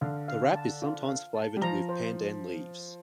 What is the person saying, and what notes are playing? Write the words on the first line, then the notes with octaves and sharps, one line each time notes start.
The wrap is sometimes flavored with pandan leaves.
D3 F5
F5
A5
F4
F5
A5
G3
F3 A#5
C5